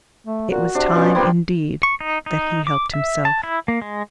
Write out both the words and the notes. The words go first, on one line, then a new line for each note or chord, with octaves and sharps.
It was time, indeed, that he helped himself.
A3
A#2 F#4
C3 D4
B2 F3 C#4
A#3 C4 G4 B4
C#6
D#4
D#4
D6
E5
A5
E4
A#3
G#3